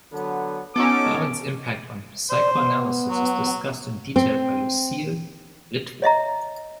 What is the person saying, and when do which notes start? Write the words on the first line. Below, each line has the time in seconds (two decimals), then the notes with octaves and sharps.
Darwin's impact on psychoanalysis is discussed in detail by Lucille Ritvo.
0.12 D3 F#3 B3
0.76 B3 C#4 D#4 F#4 A4 D6
2.30 C5 D5
2.53 B3
3.10 F#3
4.16 C4
6.02 C#5 D#5 E5 A#5